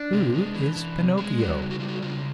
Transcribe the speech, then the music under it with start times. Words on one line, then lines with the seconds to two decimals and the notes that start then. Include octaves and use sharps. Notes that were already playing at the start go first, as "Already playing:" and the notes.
"Who is Pinocchio?"
Already playing: D4
0.13 C3
0.34 G#3
0.55 E3
0.76 E3
0.98 C3
1.18 G#3
1.39 G3 F#4
1.60 C#3
1.71 F#4
1.80 G3 F4
1.88 F#4
2.02 C#3 F4